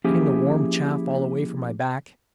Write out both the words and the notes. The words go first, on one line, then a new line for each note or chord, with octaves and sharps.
"Getting the warm chaff all away from my back!"
F3 A#3 C#4 E4 G4 G#4